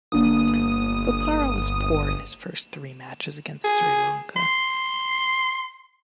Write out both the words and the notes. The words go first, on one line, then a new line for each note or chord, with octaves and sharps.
Bopara was poor in his first three matches against Sri Lanka.
G1 A#3 D4 D#6
G#4
C6